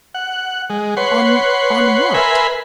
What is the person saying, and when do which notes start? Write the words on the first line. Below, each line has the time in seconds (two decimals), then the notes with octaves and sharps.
"On--on what?"
0.15 F#5
0.70 G#3
0.97 B4 C#5 F#5 C6
2.14 A#4 B4 E5 G#5 B5 C6